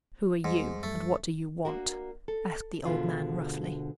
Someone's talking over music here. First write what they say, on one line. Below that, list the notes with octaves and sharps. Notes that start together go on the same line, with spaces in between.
'Who are you, and what do you want?' asked the old man roughly.
E2 G#2 G3
F#2 G3 A3
A#3 B3 D4 F#4 A#4
A4
D2 B2 D3 G#3 F4